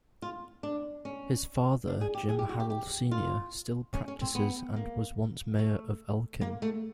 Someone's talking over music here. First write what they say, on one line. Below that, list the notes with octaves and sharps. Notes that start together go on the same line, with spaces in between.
His father, Jim Harrell Senior still practices and was once mayor of Elkin.
F4
D4
C#4
D4
G#4
G4
G#4
G4
F#4
G4
G4
F4
C#4
C#4
C4
B3
A#3
A3
A#3
A3